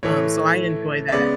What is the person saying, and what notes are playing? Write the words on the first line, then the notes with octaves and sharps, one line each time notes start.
um, so I enjoy that.
A2 E3 A3 C#5
E5
C#3 G#3 B3 D5